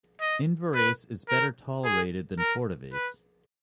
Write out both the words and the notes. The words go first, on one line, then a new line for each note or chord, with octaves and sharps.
Invirase is better tolerated than Fortovase.
D#5
B4
A#4
G#4
A#4
B4